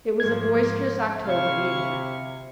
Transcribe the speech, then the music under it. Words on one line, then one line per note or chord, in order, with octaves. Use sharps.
It was a boisterous October evening.
G#2 F3 G#6
C3 E4 F5 C#6